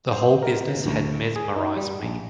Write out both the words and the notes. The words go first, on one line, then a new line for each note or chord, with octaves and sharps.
The whole business had mesmerised me.
C5
A#4
C#3
D2
G#4
D#4
G3
A#1